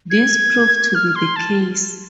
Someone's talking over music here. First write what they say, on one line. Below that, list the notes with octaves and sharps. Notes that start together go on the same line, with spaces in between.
This proved to be the case.
G#6
F6
C6
A5